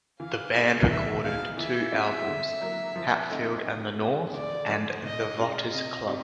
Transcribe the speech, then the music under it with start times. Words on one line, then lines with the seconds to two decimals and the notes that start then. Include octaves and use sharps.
The band recorded two albums, "Hatfield and the North" and "The Rotters' Club".
0.20 E3 F5
0.54 G3 B3 E4 G#4
0.89 F#3 E5
1.23 B3 D#4 G#4 F5
1.57 E3 E5
1.92 G#3 C4 E4
2.27 D3
2.61 F#3 A#3
2.96 F3
3.30 A3 C4 D#4
3.65 D#3
4.00 G#3 B3
4.34 D2 D5
4.68 D3 F3 A3
5.03 B2 D#5
5.38 G#3 C#4 F4
5.72 C3 D#5
6.07 G3 C4 D#4